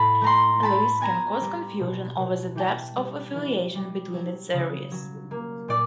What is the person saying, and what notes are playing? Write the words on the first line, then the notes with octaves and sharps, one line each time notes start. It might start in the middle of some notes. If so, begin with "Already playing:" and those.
This can cause confusion over the depth of affiliation between its areas.
Already playing: A2 A5 B5
A3 A#5 C6
A3 A5 B5
B3 G#5 A#5
G3
B2
B2
E3 G5 A5
G3
E3
G3
F#3
C#3
F#3
A#3
A#2 D5